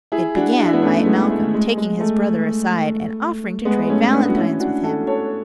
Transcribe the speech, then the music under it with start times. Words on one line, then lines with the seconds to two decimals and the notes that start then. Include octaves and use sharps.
It began by Malcolm taking his brother aside and offering to trade valentines with him.
0.12 E4 G#4
0.36 D4 F#4
0.59 D4
0.66 E4
0.73 B3 D4
0.82 A3 C#4
1.06 G#3 B3
1.30 A3
1.54 G#3
1.77 G#3
2.00 A3
3.65 G#3 B3
3.90 A3 C#4
4.12 B3 D4
4.28 F#4
4.36 C#4 E4
4.60 D4 F#4
4.83 F#4 A4
5.07 A4 C#5